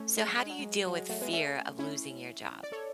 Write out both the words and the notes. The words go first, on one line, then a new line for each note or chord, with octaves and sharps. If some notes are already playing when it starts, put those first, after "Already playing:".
So, how do you deal with fear of losing your job?
Already playing: A3 C#4
G#3
F#3
G#3
F#3
G#3
F#3
G#3
F#3 A3
G#3 B3
A3 C#4
C#4 E4
D5
A4 C#5